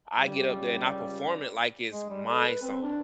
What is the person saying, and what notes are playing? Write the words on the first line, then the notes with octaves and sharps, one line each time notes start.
I get up there, and I perform it like it's my song.
C#2 G3
G#3
G3
A4
B4
C4
D4